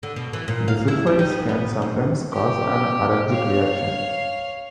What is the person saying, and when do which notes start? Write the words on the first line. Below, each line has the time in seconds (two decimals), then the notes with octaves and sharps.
Bisulfites can sometimes cause an allergic reaction.
0.03 D3
0.16 B2
0.33 E3
0.48 A#2
0.68 F5
0.88 E4
1.07 G3
1.19 D#4
1.31 B3
1.49 B3
1.82 D2
2.32 G4
3.32 C#5 F5